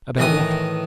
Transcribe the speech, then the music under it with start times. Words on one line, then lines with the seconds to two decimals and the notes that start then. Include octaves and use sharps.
"About what?"
0.17 A2 D#3 E3 D#6